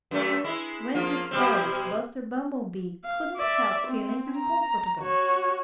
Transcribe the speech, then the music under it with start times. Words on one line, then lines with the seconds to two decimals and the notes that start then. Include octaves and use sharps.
When he saw it Buster Bumblebee couldn't help feeling uncomfortable.
0.11 F#2 A3
0.44 G#3 E4
0.95 F3 A#3 F4
1.31 B2 G3 C4
3.04 F5
3.37 D5 E5
3.87 C4
4.37 A#5
5.00 F#4 C#5